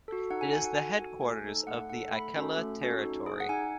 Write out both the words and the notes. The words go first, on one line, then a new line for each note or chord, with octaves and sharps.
It is the headquarters of the Ikela Territory.
F#4 A4
D#4 F#5
G#5
F#4 A4 G#5
F#5
D#4 G#5
F#4 A4
A3 G#5
D#4 A4
A3 F#5
F#5
D#4 A4 F#5
A3 B5
C#4 F#4 A4
A3
C#4 F#4 A4
D#4
G#4
F#5
D#4 G#5